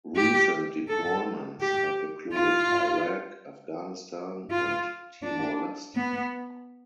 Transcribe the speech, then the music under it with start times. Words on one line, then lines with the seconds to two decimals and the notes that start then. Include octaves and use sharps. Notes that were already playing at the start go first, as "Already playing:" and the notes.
Recent deployments have included Iraq, Afghanistan and Timor Leste.
0.16 G4
0.88 A4
1.61 G4
2.33 F4
4.51 F4
5.23 D4
5.96 B3